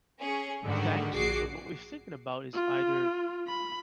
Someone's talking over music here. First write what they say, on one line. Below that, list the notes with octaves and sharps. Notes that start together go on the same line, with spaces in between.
"Thanks." So, what we're thinking about is either
C#4 G#4
G#2 D3 D#3 G3 F#4
A#1 F#4 G#4 D6 C7
F4
B5